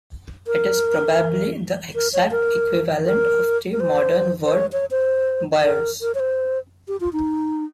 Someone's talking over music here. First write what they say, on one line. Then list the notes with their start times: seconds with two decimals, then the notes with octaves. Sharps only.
It is probably the exact equivalent of the modern word 'byres'.
0.47 A#4
1.95 A#4
2.13 C#5
2.31 A#4
3.06 A#4
3.72 A#4
3.80 C5
4.45 C5
4.53 C#5
4.73 C#5
4.91 C5
5.64 A#4
6.02 A#4
6.15 C#5
6.20 C5
6.88 G4
7.00 F4
7.13 D#4